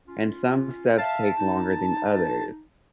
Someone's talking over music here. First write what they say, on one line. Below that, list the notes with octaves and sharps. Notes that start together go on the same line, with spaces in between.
and some steps take longer than others,
C#4 F4
E5 F5 A5
D#4